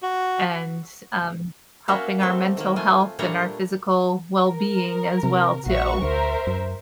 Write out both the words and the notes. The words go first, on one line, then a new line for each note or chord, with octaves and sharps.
and, um, helping our mental health and our physical well-being as well, too.
F#4
A#3 C#4 F#4 E5 F5
F#3 G3 A3 C4
D#3 A#3
A3 F4 G#5
A#2 G3 A3 D4 C#5 A#5
A#4
C3
A#1 F#4 E5 C#6
D2 A#4 C5 E5
F#2